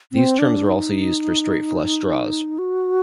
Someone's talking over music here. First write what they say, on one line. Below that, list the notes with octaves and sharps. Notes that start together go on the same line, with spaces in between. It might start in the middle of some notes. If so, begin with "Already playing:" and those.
These terms are also used for straight flush draws.
C4
D4
D#4
F#4